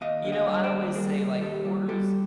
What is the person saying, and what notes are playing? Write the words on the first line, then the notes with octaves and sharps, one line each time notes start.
you know, I always say, like, Hoarders,
D#2 D#5 F5
D3
D#5 F5
G3
C5 D5
D#2
G3 G#4 A#4
D#2
D#2 G4 A4
G3
G3 G4 A4